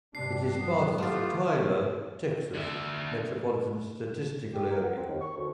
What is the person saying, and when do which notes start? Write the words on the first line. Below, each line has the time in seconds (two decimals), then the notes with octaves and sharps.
It is part of the Tyler, Texas Metropolitan Statistical Area.
0.15 G2 C3 D4 C7
0.57 F#3 B3
0.98 A3 B3 F4 G4
2.54 D3 E5
4.54 G4
4.71 A#4
4.84 F#5
4.96 C4
5.08 D#2
5.21 C#6
5.37 D2